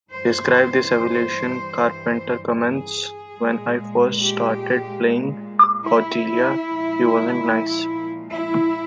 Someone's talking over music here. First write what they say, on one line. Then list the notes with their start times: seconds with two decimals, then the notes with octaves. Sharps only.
Describing this evolution, Carpenter comments, When I first started playing Cordelia, she wasn't nice.
0.11 G2 E3 G3 C5
2.57 G#4
3.39 A#2 G#3
4.22 G4
5.86 E4
6.68 A#2 F3 G#3
8.33 E4